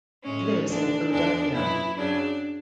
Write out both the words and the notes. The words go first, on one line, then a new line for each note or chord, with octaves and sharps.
He lives in Philadelphia.
A2 G#3 C#4
D2 D3 G#3 D4
E2 D3 G#3 D4
F#2 E3 G#3 E4
F#2 C#3 F#3 D4